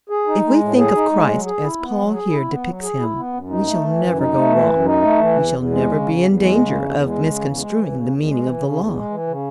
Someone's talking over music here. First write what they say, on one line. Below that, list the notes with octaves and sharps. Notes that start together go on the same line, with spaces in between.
If we think of Christ as Paul here depicts Him, we shall never go wrong. We shall never be in danger of misconstruing the meaning of the Law.
G#4
D#4
G#3
A2
G#4
D#4
G#3
F#3
G#4
E4
B3
F#3
G#4
E4
B3
F#3
G#4
E4
B3
F#2
D#4
A3
E3
F#2
D#4
A3
E3
F#2
D#4
A3
E3
E2
E2
G#3
C#3
E2
E2
G#3
C#3
E2
E2
G#3
C#3
E2
G#3
E3
C#3
E2
G#3
E3
C#3
E2
G#3
E3
C#3